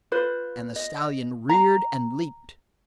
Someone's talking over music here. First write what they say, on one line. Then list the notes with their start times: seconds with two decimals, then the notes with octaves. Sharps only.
And the stallion reared and leaped.
0.12 F4 B4 C5
0.76 D#5
1.49 A#5